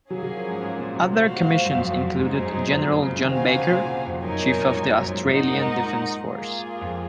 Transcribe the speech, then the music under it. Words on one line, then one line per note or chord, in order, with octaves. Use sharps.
Other commissions included General John Baker, Chief of the Australian Defence Force.
F#3 A#3 C#4 G#4
F#3
F3
G#2
G#2
A#2
C3
A#2 F#4 C5 F5
G#2
F#2
F2
F#2
F#2
G#2 D#4 G#4 C5
F#2
F#2
A#2
A#2
C#3
D#3 C4 F#4 C5 F5 G#5
C#3
C3
A#2
F2
F#2 D#4 A#4 C#5 G#5
A#2
A#2
G#2
G#2
F#2
G#2
A#2 D#4 A#4 D#5 F#5
G#2
G#2
A#3 F4 G#4
F2